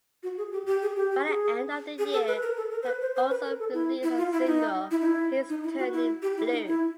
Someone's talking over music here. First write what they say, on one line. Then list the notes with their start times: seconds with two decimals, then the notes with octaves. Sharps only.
By the end of the year they also released a single, "He's Turning Blue".
0.23 F#4
0.38 G#4
0.52 G4
0.66 G4
0.82 G#4
0.96 G4
1.11 G4
1.26 G#4
1.98 G#4
2.13 A4
2.28 B4
2.42 A#4
2.57 A4
2.71 A#4
2.82 C5
2.86 B4
3.01 C5
3.16 C5
3.30 B4
3.45 A#4
3.59 A4
3.74 E4
4.03 E4
4.18 F4
4.33 E4
4.47 D#4
4.91 E4
5.01 D#4
5.05 E4
5.49 D#4
5.64 E4
5.78 F#4
5.93 E4
6.22 G4
6.37 E4
6.52 D#4
6.67 E4